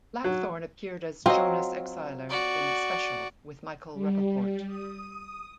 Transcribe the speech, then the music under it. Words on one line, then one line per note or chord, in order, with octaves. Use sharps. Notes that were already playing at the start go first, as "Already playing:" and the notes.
Blackthorne appeared as Jonas Exiler in "Special", with Michael Rapaport.
F#3
F#3 C4 F4 D#5
F#4 D5
G3
D#6